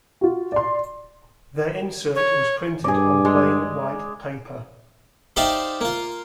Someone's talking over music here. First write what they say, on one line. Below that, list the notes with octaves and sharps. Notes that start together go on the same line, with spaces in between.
Their insert was printed on plain white paper.
F4 F#4
D5 C6
C#5
G2 G#4 D5
G#3
D#4 G4 C5 D5 E5 F5
A#3 F4